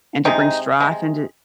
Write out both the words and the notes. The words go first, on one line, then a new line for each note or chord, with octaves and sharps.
and to bring strife into
C3 G#3 D#4
C3 G#3